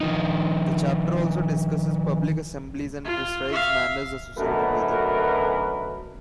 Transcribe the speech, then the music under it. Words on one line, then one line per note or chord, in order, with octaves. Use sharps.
The chapter also discusses public assemblies and prescribes manners associated with it.
D#3 F3 D#4
F4
E5 F5
F#2 B2 D3 A3 A#4 B4